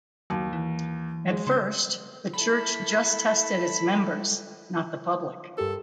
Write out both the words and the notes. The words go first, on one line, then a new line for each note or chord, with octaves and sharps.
At first the church just tested its members, not the public.
D#2 F#3
E3
G#3
C#3 C6 G6
E4 A4 B5
G2 G4 A4 A#4